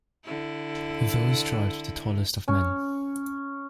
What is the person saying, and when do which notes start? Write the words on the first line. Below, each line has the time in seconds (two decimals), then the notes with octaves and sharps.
Those tribes were the tallest of men.
0.25 D3 E4
2.48 C#4